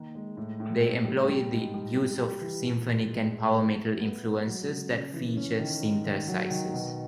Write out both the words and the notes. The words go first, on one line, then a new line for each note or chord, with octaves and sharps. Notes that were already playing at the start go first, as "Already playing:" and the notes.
They employ the use of symphonic and power metal influences that feature synthesizers.
Already playing: D#3 A#3
G#3
A2
A2
C4
G3
G3
G#2
G3
G3
G3
E3
A#2
A#2
G#3
A2
A3
A3
B3
G#3
F#3
C#3
C#3
E3
C#4
D#3
G#2
D#3
F#3
D#3
B2